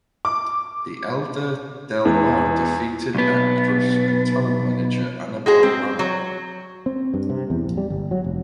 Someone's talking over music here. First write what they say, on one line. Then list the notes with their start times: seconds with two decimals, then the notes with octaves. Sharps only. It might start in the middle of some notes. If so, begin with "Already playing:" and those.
The elder Del Mar defeated actress and talent manager Annabelle Rama.
0.25 D6
2.05 E2
3.15 B1 B3
5.46 G#3 F#4 G#4
5.63 C4
5.99 F#3
6.86 C4
7.14 G2
7.30 C3
7.50 E2
7.66 A#1
7.77 G3
7.90 G1
8.11 F#3
8.24 F1